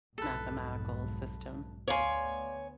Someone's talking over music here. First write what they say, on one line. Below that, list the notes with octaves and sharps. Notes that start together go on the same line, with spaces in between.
Mathematical system?
B1 F2 G#2 A4 B4
D2 B3 C#5 D5 F5 G#5 C6